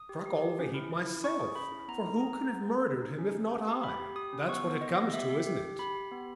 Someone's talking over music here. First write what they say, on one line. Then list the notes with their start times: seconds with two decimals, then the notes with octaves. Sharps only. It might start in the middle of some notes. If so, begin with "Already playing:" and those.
I'm struck all of a heap myself, for who can have murdered him, if not I? That's what it comes to, isn't it?
Already playing: D#6
0.09 G4
0.26 G4
0.42 G4
0.59 C#4
0.74 E4
0.91 E4
1.07 E4
1.24 C#4 C#6
1.39 G#4
1.55 C#4 B5
1.72 E4
1.88 B3 A#5
2.04 D#4
2.20 G#4 A#5
2.37 G#4
2.53 B3
2.70 G#4
2.86 D#4
3.02 D#4
3.19 C#4
3.35 G4
3.51 C#4
3.67 G4
3.83 G4 B5
4.00 G4
4.16 G4 D#6
4.33 C#4
4.49 B3 C#6
4.65 B3
4.81 B3 D#5
4.97 B3
5.13 G4 E5
5.30 G4
5.47 G4
5.62 G4
5.79 G4 B5
5.95 G4
6.11 B3